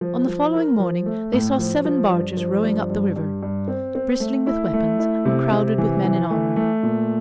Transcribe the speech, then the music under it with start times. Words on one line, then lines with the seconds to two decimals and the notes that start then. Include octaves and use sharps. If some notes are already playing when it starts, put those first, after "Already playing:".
On the following morning, they saw seven barges rowing up the river, bristling with weapons, and crowded with men in armor.
0.01 F3
0.28 F3
0.54 A#4
0.80 F3
1.06 A3
1.33 A2
1.59 F3
1.85 F3
2.11 G2
2.37 F3
2.63 G2
2.90 G2
3.16 G2
3.43 G2
3.68 C4
3.95 C4
4.20 A3
4.47 E4
4.73 A3
4.99 E4
5.25 C3
5.51 C3
5.78 E3
6.04 E3
6.30 A3
6.56 A3
6.83 A#2